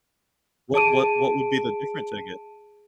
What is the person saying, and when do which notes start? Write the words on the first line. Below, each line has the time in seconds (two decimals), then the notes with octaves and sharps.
What what what would be the difference, I gue
0.74 G#4 A5 D7 D#7